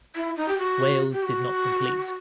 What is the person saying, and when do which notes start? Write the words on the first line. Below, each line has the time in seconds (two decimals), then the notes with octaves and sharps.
Wales did not complete.
0.15 E4
0.37 D#4
0.48 G4
0.58 F#4
1.12 G4
1.22 F#4